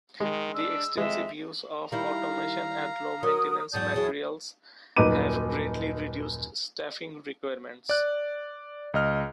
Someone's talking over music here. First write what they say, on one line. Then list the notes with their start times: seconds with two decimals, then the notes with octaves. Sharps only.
The extensive use of automation and low maintenance materials have greatly reduced staffing requirements.
0.20 D#3 G#3
0.54 D4 E6
0.97 F2 G#3 E5
1.92 D#3 G3 E4 F5 A#5
3.23 F#3 A#4 D#6
3.73 E2 G#2 F#3 D5 A5 D#6 G6
3.94 E2 F#3 E4 G#4
4.97 D#1 F#2 D#4 B4 D6 D#7
7.89 D5 F#6
8.94 C#2 D#5 F6